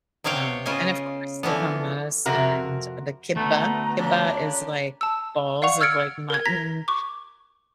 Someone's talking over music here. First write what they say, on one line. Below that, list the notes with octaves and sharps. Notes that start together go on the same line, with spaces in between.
Um, and, of course, the hummus and the كِبّة. كِبّة is, like, balls of, like, mutton
C3 B3 C#5 F5 G5
C#3 F4 D#5 G#5
D3 E3 F3 B3
F2 C3 F#4 A#4
D2 A3 B3 A#5
A#2 C#3 D4
A5 E6
D5 F5 F#5 C#6 F7
E6 F6 G#6 A6 C#7 D7
A#4 G#6
A#5 G#6 A#6 B6
C#6 D6